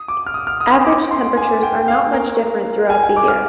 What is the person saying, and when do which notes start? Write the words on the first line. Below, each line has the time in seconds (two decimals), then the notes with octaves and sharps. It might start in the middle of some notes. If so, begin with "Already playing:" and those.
Average temperatures are not much different throughout the year.
Already playing: D#6
0.08 D6
0.26 F6
0.34 D#6
0.47 F6
0.60 D#6
0.85 D6
1.11 C6
1.37 G#5
1.63 G5
1.88 F5
2.13 A#4
2.90 G#5
3.03 G#5
3.16 D6
3.28 F6